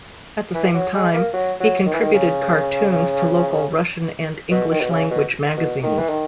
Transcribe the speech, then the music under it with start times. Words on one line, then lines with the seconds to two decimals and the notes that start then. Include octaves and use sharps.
At the same time, he contributed cartoons to local Russian and English-language magazines.
0.55 E3
0.74 F#3
0.94 G#3
1.14 A#3
1.34 F#3
1.60 F#3
1.86 D#3
1.94 E3
2.01 D#3
2.13 C#3
4.51 B2
4.71 D#3
4.81 B2
4.91 C#3
5.11 B2
5.57 B2
5.83 D#3
5.99 E3
6.09 D#3